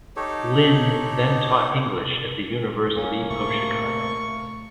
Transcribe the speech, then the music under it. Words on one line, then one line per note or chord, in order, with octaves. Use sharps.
Linn then taught English at the University of Chicago.
D#4 G4 A4 C#5
G2 A#3 C#4
A2 C3 A3 C#6